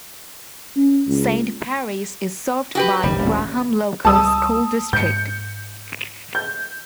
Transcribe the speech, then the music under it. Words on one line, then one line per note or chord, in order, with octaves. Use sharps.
Saint Paris is served by Graham Local School District.
C#4
C#2
F#4 G4 B4
F#1 D#2 G3
D#1 A1 D2
C#2 G3 A5 D#6 E6
G#2 G6 C#7
G6